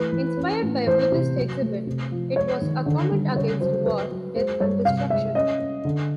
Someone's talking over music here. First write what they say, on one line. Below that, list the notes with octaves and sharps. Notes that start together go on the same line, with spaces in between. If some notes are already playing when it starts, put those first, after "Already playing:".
Inspired by a Buddhist exhibit, it was a comment against war, death and destruction.
Already playing: E3 A3 B4
E3
C#4
A2
E3 C5
C3
F#3
A3
C3
F3
G#3 C#5
D#3
D3
G3
C#3 C#5
F#3 C5
F#3 B4
F#3
G#3 C5
G2 C#5
C3 F5
G#3 E5
C#4 D#5
C#4
D3